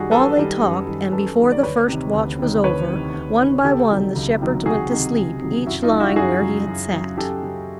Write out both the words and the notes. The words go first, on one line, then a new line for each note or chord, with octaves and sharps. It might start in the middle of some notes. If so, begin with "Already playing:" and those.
While they talked, and before the first watch was over, one by one the shepherds went to sleep, each lying where he had sat.
Already playing: F#2 D#3 G3 F#4 G#4
F#2 A4 B4
D#3 G3
F#2
D#3 G3
F#2 A4 B4
D#3 G3
D5
D2 B4 C#5
C3 D#3
D2
C3 D#3
D2 B4 C#5
C3 D#3
D2
C3 D#3
C#2 G4 A4
C3 D#3 F#3
C#2
C3 D#3 F#3
C#2 F#4 G#4
C3 D#3 F#3
C#2
C3 D#3 F#3
F#2 E4 F#4
D#4 F4
C#3 F#3
E4 F#4
F#2 F#4 G#4
C#3 F#3
F#2
C#3 F#3
F#2 G4 A4
C#3 F#3